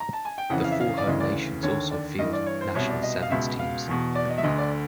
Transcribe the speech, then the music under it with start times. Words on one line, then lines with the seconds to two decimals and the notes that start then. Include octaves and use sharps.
The four home nations also field national sevens teams.
0.00 A#5
0.13 A5
0.25 G#5
0.38 G5
0.50 F2 C#3 E3 F#5
0.64 F5
0.72 E5
0.81 F5
0.98 D5
1.07 D2 C#3 E3 D#5
1.20 D5
1.63 D#2 D3 C#5
1.91 D5
2.19 G2 E3 D#5
2.33 D5
2.47 C#5
2.61 C5
2.75 C2 B2 C#5
2.90 D5
3.03 D#5
3.23 F5
3.31 C#2 B2 E5
3.59 F5
3.88 E2 B2
4.15 D5
4.30 D#5
4.38 E5
4.43 D2 D3 D#5
4.58 D5